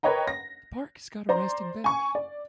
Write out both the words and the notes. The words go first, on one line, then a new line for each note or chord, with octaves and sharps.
The park has got a resting bench.
A#4 B4 C#5 D#5 G5 A#5
A#6
C5 D5 A#5 C6
G#5 C#6
D5